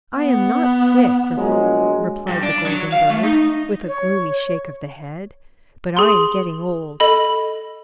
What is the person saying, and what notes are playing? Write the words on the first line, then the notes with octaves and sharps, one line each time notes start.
'I am not sick,' replied the golden bird, with a gloomy shake of the head; 'but I am getting old.'
B3
A#1 F#3 G#3
G2
D4
F#3
F5
A3
D#4
C#5
G#4 C6
A4 D#5 B5